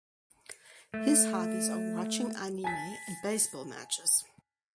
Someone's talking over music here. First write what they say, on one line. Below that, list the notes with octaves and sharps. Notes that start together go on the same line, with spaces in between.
His hobbies are watching anime and baseball matches.
A3
G#5 A5 B6